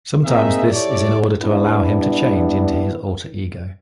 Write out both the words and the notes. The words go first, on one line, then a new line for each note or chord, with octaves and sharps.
Sometimes this is in order to allow him to change into his alter ego.
A#3 C4 D#4 G#4 E5
E4 G4 A4 C#5 D5
G3 B3 D4 E4